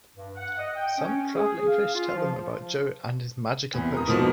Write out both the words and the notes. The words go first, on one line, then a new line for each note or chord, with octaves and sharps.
Some traveling fish tell them about Joe and his "magical potion".
G2
F#5
D#5
G5
C#4
G#4
F5
F4
F3
E2 C3
A#4 D#6
G#2 B2 D3 F3 A#3